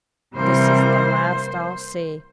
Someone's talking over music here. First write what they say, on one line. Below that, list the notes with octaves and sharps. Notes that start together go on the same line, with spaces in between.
This is the last I'll see.
C3 E3 G3 A#3 C5